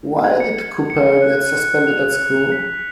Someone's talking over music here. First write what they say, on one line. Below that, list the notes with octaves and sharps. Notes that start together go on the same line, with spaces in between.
Why did Cooper get suspended at school?
G#6
C#7
G#6
G#6
C#7
C#7
F#6
F#6
F#6
F#6
F7
F#6
F#6
F7
B6
B6